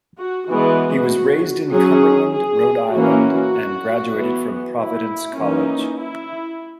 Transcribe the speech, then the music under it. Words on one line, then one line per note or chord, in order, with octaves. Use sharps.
He was raised in Cumberland, Rhode Island and graduated from Providence College.
F#4
E3 G#3 B3 F#4
F#3 C#4 G#4
G#4
E3 A#3 C#4 F#4
E3 B3
E4
E3 A#3 C#4 D#4
E4